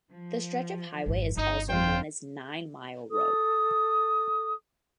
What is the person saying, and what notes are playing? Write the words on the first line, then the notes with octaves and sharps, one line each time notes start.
This stretch of highway is also known as Nine Mile Road.
F3
G#1 F2
G1 D#4
F2 F4 C5 G5
A4 D#6